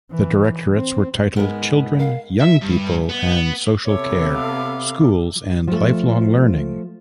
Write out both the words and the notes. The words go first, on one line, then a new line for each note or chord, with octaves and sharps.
The Directorates were titled Children, Young People and Social Care; Schools; and Lifelong Learning.
E3
C4
G#2 G#3 B3 A#4
A#4 F5
E5
G2
B3
C3 B3 A4 C#5 E5 D6
F5
F3 A3